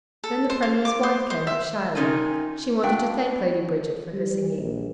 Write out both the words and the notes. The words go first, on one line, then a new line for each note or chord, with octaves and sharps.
Then the Premier's wife came up shyly; she wanted to thank Lady Bridget for her singing.
A4
C5
F4
D6
C5
C5
E5
C3 C#4 D#4 F4 A#4 G#5
B3 D4 F#4 F5 G5
G3
A#1